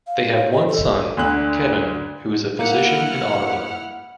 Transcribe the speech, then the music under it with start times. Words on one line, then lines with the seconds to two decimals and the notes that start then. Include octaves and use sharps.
They have one son, Kevin, who is a physician in Ottawa.
0.07 F5
0.37 C#5
0.52 D#5
0.69 A4
1.17 D2 D3 F#6
2.59 A#3 E4 F#5 F6